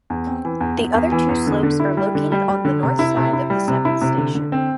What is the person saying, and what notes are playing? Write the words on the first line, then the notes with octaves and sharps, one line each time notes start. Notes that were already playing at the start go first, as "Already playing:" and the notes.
The other two slopes are located on the north side of the Seventh station.
E2
C4
E3
E2
E2
E2
E3
E2
D3
D3
E4
G3
D3
G3
G3
D3
C3
E4
C3
E4
G3
C3
E4
C3
D3
D3
C4